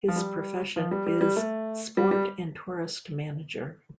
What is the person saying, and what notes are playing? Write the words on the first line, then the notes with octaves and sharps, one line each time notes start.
His profession is Sport- and Tourist manager.
F3
G3
F3
G3
G3
G3
A3
G3
G3